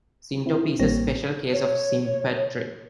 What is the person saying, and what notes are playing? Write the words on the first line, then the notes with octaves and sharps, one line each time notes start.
Syntopy is a special case of sympatry.
C4 E4
A1 G3 A#3 C4 C#5 A#6
C#5